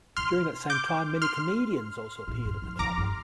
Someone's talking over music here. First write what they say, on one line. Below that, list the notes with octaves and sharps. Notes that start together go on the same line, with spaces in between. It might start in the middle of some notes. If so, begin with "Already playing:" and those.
During that same time, many comedians also appeared at the club.
C3 C6 F6
D6 G6
C6 F6
A#2
G2
F2
F2 A#5 D6
G2